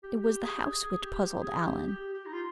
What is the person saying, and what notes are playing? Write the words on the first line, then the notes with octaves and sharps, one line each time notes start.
It was the house which puzzled Alan.
G4
G4
G#4
G4
G#4
G#4
G4
G4
G#4
G4
G4
G4
D#4
F4